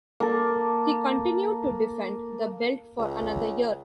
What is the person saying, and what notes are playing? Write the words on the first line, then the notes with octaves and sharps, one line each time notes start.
He continued to defend the belt for another year.
A#3 A4
C#2